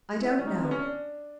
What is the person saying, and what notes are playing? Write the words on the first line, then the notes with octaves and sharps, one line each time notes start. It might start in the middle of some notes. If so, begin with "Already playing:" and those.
I don't know.
E4
D4
C#4
D#4
C4
B3
C#4
D4